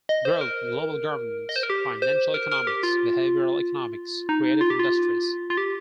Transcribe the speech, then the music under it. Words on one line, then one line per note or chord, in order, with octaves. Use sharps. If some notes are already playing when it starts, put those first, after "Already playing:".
Growth, global governance, financial economics, behavioral economics, creative industries.
D#5
C5
A#4
D#5
C5
A#4
G4
C5
A#4
A#4
G4
F4
D#4
F4
G4
F4
F4
G4